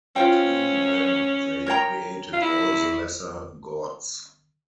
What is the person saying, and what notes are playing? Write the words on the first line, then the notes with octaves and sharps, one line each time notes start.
Between them they created all the lesser Gods.
C#4 F4 C5 G5
A#4 C#5 G5 A#5
F4
E4